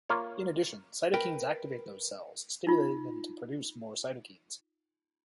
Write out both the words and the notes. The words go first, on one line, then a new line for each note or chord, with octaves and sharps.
In addition, cytokines activate those cells, stimulating them to produce more cytokines.
A#3 F4 C#5
A#4 B4 G5
D#4 F4